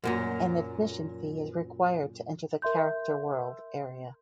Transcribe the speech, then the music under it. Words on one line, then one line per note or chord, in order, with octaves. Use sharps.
An admission fee is required to enter the Character World area.
F#2 A#2 F#3
A#4 E5 C6 G6